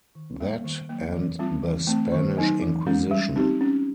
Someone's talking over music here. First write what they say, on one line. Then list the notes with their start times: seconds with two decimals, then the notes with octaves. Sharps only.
That and the Spanish Inquisition.
0.15 D#3
0.40 G3 A#3
0.64 D#3
0.89 F#3 A#3
1.14 E3
1.39 G3 C4 F4
1.63 E3
1.87 A3 C4
2.12 D#3
2.37 F#3 B3 D#4
2.62 E3
2.87 G#3 C#4
3.11 G3
3.36 C4 D#4 G4
3.61 C#4